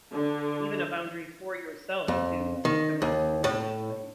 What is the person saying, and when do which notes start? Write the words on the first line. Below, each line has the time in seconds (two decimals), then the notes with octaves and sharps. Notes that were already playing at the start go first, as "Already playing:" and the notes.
even a boundary for yourself to commit to doing these things.
0.12 D3
2.08 F2
2.65 D#3
3.02 D#2
3.44 A2